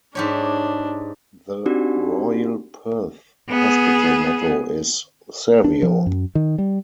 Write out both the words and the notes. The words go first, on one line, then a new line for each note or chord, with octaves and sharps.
The Royal Perth Hospital motto is "Servio".
G#2 D4 G4 C#5
C4 D4 D#4 F#4 G4 D5
B3 G#4
D4
F3
F#2
D#3
G3